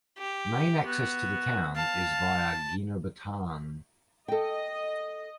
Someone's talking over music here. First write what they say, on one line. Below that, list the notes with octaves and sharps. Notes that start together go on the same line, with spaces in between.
Main access to the town is via Guinobatan.
G4
B3 F#4
F5 A5
A4 D#5 G5